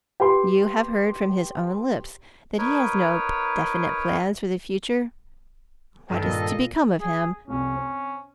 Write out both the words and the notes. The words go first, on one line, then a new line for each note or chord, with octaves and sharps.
You have heard from his own lips that he has no definite plans for the future. What is to become of him?
G4 B4 G5 C6
D#4 A#4 B4 C#5
G2 D#3 A4
A#2 D#5
G#4
C2 F2 C#4
C4